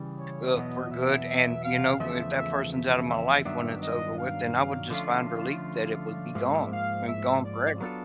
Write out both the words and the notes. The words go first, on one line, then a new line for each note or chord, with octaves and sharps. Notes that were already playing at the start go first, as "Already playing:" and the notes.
uh, for good, and, you know, if that person's out of my life when it's over with, then I would just find relief that it would be gone, and gone forever.
Already playing: C#3 E3 G3
C#5
E2 B2 F#3 B3 D#5
E5
F5
E2 C#3 F3 A3 E5
E5
E5
E5
G2 D#3 F#3 B3 D4 E5
D#5
F5
D3 F3 A3 C#4 F4 F5
F5
G#2 F3 A#3 E5
F5
E5
D5
F#3 B3 D4 F4 A4